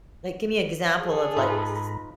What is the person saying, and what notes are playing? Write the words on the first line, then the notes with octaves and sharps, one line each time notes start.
Like, give me an example of, like, s
G#4 A4
G#2 D#4 F4 B4 A#5 B5